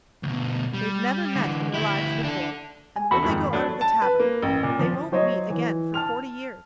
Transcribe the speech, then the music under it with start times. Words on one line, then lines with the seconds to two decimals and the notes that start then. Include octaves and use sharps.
They've never met in their lives before and, when they go out of the tavern, they won't meet again for forty years.
0.23 D2 B2
0.74 G3
1.35 D3 E3
1.74 D2 E4 G4
2.24 D4 A4
2.96 G#5
3.11 E2 F#4 A4 B5
3.23 F2 G#2 D#3
3.53 F#3 A3 D4
3.81 A5
4.02 B4
4.20 A#3
4.43 A1
4.63 A#2
4.79 F3
5.12 F#3 C5 C#5 D#5
5.50 E3
5.94 A5 F6 F7